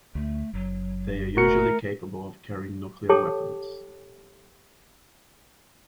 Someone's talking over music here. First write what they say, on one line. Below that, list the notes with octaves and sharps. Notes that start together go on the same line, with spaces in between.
They are usually capable of carrying nuclear weapons.
D2 A3
F#1 F#3
A3 F#4 A#4 C#7
G4 A4 C#5 G5 A5 D6